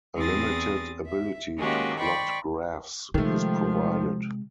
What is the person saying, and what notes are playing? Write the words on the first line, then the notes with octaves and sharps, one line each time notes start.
A limited ability to plot graphs is provided.
E2 C4 G#4 D#6 A6 A#6
E5
D#3 G#3 A#3 C#4 F#4 G4
C5 D5 G5 B5 C#6
C3 D#3 F3 G#3 A3